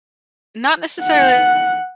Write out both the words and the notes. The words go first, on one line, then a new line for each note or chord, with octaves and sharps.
not necessarily
F#5